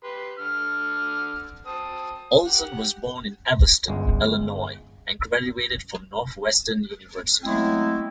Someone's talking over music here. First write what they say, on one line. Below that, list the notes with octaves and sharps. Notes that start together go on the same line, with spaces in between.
Olson was born in Evanston, Illinois, and graduated from Northwestern University.
G4 B4 C6
D3 F6
C4 A5 D#6
G4 F#5
G1 C#2 G#3
F#3 G#3 A3 B3 C4 E4